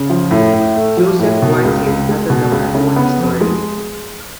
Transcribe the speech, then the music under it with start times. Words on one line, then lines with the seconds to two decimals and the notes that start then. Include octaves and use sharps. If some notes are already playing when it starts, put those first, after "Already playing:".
Josef warns him not to tell anyone the story.
Already playing: C#3
0.10 F3
0.31 A2
0.53 A2
0.75 A3
0.97 F3
1.20 A2
1.42 B2
1.64 C#2
1.86 C#2
2.09 G#3
2.30 B2
2.52 C#2
2.75 C#3
2.96 B3
3.18 F2
3.41 G#3